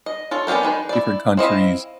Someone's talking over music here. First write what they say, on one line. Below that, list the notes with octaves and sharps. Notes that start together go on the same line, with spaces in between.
different countries,
D#5
F4 A4 C#5
B3 C#4 D4 G4 A#4
D#3 G#3 B4
E4 D5
C4 E4 D#5 F5